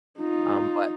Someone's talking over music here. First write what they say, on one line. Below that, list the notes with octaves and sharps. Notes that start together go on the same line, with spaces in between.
um, but
D#4 F4